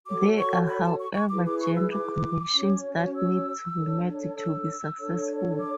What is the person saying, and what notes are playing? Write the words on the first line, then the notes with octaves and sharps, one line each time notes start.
There are, however, genre conventions that need to be met to be successful.
F#4 A4 C#5 D6
C#6
B5
A5
C#6
C#6
E4 G#4 B4 D6
D6
C#6
E6
D6
C#4 F#4 C#5
E6
D4 A4 C#5
E6
D4 A4 C#5
D6